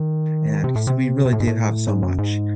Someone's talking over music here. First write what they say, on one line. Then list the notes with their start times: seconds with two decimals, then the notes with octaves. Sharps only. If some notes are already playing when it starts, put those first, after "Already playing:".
and 'cause we really do have so much,
Already playing: D#3
0.64 C3
0.75 A2
0.87 C3
1.26 C3
1.33 A2
1.40 G#2
1.47 A2
1.87 G#2
2.03 F#2
2.18 G#2